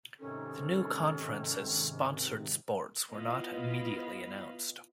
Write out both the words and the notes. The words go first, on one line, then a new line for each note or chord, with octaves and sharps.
The new conferences' sponsored sports were not immediately announced.
G#2 C3 D#3 C#4 A4
B3 E4 F4 D#5 F5 B5